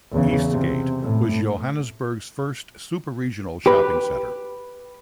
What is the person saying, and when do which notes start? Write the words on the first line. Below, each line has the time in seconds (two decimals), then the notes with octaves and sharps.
Eastgate was Johannesburg's first 'super-regional' shopping centre.
0.12 E2 C#3
0.51 C3
1.02 A2
3.66 G4 B4